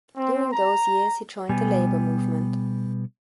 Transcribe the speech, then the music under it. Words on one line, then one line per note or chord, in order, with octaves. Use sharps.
During those years he joined the labor movement.
C4
A#5
B2 G3 B3 G#5